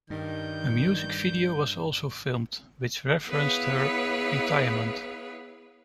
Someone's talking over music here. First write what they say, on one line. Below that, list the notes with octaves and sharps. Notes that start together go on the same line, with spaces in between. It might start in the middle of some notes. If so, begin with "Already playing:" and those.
A music video was also filmed which referenced her retirement.
G2 D#3 G3 G6
B3 E4 G#4 B4 C#5 F5